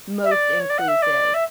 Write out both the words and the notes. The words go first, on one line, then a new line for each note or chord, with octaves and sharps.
most inclusive,
E5
D5
C#5
D5
F#5
E5
D5
E5